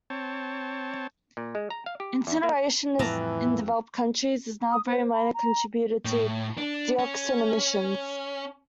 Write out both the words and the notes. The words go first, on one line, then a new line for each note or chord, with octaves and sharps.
Incineration in developed countries is now a very minor contributor to dioxin emissions.
C4 C#5 A5
A#2
G#3
A#5
F5
G4
E2
A#3
F2 A2 E3 G3 A5 A#5
D#6
C5
B5
A#5
A2
D4
C#4